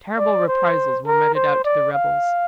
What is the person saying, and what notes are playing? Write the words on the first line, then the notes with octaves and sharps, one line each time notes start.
Terrible reprisals were meted out to the rebels.
D5
C5
A#4
C5
D5
F5